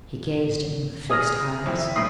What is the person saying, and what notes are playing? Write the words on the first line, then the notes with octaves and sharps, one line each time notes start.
He gazed at me with fixed eyes.
G#4 D#6 F6 A#6
F2 E4
E5
B1 A2 D#6 C7